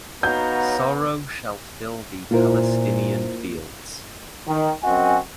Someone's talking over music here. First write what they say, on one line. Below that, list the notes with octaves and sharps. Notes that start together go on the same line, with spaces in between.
Sorrow shall fill the Palestinian fields.
B3 D#4 F#4 C#5 F5 A#5 G6
A#2 A#3 E4 F4 A#4 C5
D#3
F#2 C4 F#4 D#5 G#5